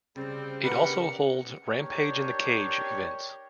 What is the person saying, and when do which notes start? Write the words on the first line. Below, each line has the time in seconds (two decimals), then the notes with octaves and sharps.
It also holds Rampage in the Cage events.
0.16 C#3 G3 C4
0.63 D#3 G3 A#3 D4 B4 F#5 C#7
1.73 D4 G4 A#4 C#5 G5